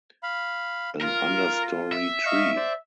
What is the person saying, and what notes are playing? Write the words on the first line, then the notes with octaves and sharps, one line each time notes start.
An understorey tree.
F5 B5
F4 A#4
E5
D#5 F5 C#6
C5 D5